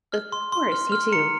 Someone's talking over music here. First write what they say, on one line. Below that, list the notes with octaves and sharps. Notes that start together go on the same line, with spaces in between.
Of course, you too.
F6
C6
C6
F6
F6
A#5 C#7